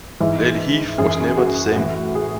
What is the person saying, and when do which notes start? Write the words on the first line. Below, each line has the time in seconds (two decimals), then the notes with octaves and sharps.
Lady Heath was never the same.
0.20 G#2 E3 E4
0.98 F#2 E3 G#4
1.37 F#4
1.76 A2 E3
2.15 G#4